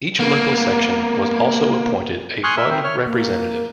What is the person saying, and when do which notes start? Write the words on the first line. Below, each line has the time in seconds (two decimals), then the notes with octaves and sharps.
Each local section was also appointed a fund representative.
0.19 A#3 B3
2.44 G#5 C6 C#6 D#6 F6 F#6
2.57 A#4 E5 E6
2.70 C4 C5 E5
2.84 C#5 F6
3.05 A#3